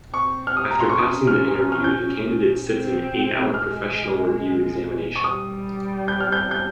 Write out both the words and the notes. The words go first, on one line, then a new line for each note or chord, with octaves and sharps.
After passing the interview, the candidate sits an eight-hour professional review examination.
C4 C#6
F6
D#6
A#5
C6
C#6
C#4 D#6
F6
F6
F6
G6
C4
G#3 F6
C#6
G3 D#6
G6
F6
G6
G6